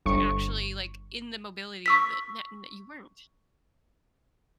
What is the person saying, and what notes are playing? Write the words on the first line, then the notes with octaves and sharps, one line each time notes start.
To actually, like, in the mobility of the n that you weren't.
G1 C#6
C#6 E6 B6